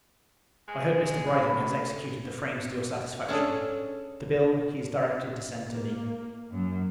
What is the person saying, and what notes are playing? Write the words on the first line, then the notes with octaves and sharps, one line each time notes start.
I hope, Mr. Brydon has executed the frames to your satisfaction; the bill, he is directed to send to me.
G#3
A3 B5
C#4 D4 G#4 A4
A#3
F#2